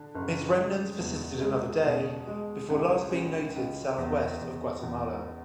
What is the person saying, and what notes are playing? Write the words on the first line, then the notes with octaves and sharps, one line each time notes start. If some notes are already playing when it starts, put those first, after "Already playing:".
Its remnants persisted another day before last being noted southwest of Guatemala.
Already playing: D3
F#1
G#3
E2
G#3
B2
G#3
C#2
C#4
C#2
E2
E2
E2